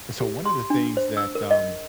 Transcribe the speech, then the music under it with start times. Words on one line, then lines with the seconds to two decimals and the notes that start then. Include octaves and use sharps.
So, one of the things that, um,
0.20 G4
0.46 C6
0.70 D4
0.97 C5
1.17 E6
1.35 A#4
1.51 D#5